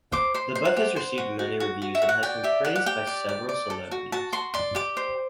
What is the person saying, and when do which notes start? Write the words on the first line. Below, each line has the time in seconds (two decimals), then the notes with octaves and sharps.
The book has received many reviews and has been praised by several celebrities.
0.12 C5 D6
0.34 C5 C6
0.55 C5
0.65 F#5
0.77 G4
0.96 C5
1.18 F#4
1.39 F#4
1.60 F#4
1.82 F#4
1.95 E5
2.02 F#4
2.09 F#5
2.23 D5 G5
2.44 G4 E5
2.65 G4 F#5
2.76 F#5
2.86 G4 G5
3.07 D5
3.29 D5
3.49 D5
3.70 A4
3.91 F#4
4.12 F#4 A5
4.32 F#4 C6
4.54 D5 C6
4.75 G4 D6
4.97 C5